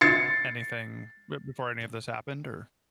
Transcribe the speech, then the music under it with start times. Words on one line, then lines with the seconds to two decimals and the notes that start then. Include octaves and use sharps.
anything b before any of this happened or
0.01 A6 C7 C#7